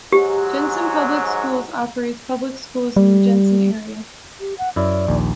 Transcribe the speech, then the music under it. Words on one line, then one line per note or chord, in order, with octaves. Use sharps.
Jenison Public Schools operates public schools in the Jenison area.
G#2 F#3 G4
G3
G4
F#5
F#2 E4 D5
A#1 D#2